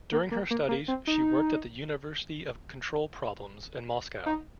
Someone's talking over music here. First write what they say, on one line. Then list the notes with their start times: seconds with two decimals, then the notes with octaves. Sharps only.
During her studies she worked at the Institute of Control Problems in Moscow.
0.12 A#3
0.31 A#3
0.51 A#3
0.69 A#3
0.88 C4
1.07 D#4
4.26 D#4